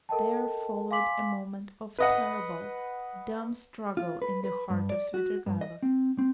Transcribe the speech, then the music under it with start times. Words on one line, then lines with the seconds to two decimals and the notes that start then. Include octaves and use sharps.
There followed a moment of terrible, dumb struggle in the heart of Svidrigailov.
0.09 A4 A#4 D#5 G5 A5
0.91 F5 G#5 C6 D6 B6 F#7
1.98 B4 D#5 F#5
3.97 F4
4.22 B4
4.44 B4
4.70 G2
4.90 D5
5.14 F#4
5.46 G2
5.61 D#5
5.83 C4
6.19 C4